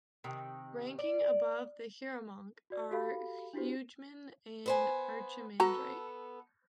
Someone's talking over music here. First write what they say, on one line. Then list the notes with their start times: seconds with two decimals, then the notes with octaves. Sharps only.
Ranking above a hieromonk are a hegumen and an archimandrite.
0.24 C3 D#3
0.99 D5
2.70 F#4 D5
2.91 F#4 G4 A4 F5 B5
3.53 D4 E4 F#4 G4 C5
4.66 B3 C5 G#5
5.60 B3 F#4 A4 A#5